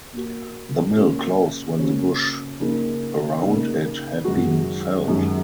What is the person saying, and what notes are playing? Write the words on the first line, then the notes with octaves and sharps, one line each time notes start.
The mill closed when the bush around it had been felled.
A#2 A#3 F#4
C#3 A#3 C#4 F#4
C#3 A#3 C#4 F#4
C#3 A#3 D#4
C#3 A#3 D#4
F#2 D#3 G#3 F#4
F#2 D#3 G#3 F#4